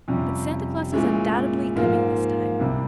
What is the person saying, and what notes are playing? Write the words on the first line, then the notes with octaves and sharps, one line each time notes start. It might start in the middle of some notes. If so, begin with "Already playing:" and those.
But Santa Claus is undoubtedly coming this time.
F2 C3 G3 C#4
A#2 G#3 C#4 E4
G#2 F3 A#3 F4
C2 C3 G3